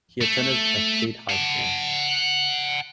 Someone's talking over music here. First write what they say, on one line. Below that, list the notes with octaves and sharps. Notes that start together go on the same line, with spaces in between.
He attended Cascade High School.
A3
F#5 A5